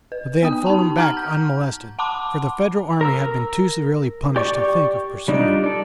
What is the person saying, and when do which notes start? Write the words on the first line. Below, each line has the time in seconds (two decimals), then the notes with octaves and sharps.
But they had fallen back unmolested, for the Federal army had been too severely punished to think of pursuing.
0.12 B4
0.43 B3 G5 D#6
0.66 D#4 A5
0.97 F#5 A#5 F6
1.17 G6
1.99 F#5 A5 B5 C6 D6
3.01 A#4 A#5 E6
4.36 G4 D5 C#6 D6
5.28 G3 D4 D#4 F4 D5
5.64 A4 D5